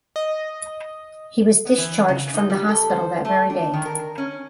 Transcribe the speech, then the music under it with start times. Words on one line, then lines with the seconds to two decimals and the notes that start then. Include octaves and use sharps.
He was discharged from the hospital that very day.
0.16 D#5
1.65 B3
1.78 E3
2.08 C#3
2.34 D#4
2.50 G3
2.69 A4
2.90 C5
3.25 A3
3.50 D4
3.74 D#3
3.86 A#4
4.18 C#4